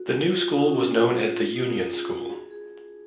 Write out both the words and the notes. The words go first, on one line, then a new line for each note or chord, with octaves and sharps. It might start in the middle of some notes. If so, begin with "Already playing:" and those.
The new school was known as the Union School.
Already playing: F#4
F#4
F4
D#4
C#4
F4
D#4
G#4
F#4
G#4
G#4